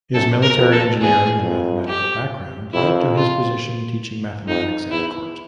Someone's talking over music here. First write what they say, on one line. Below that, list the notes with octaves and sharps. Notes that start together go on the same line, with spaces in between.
His military engineering and mathematical background led to his position teaching mathematics at court.
F#2 A4
A#4
F2
A4
E2 G#4
F2
G4
F2 E4
F4
F2 D#4
E2 E4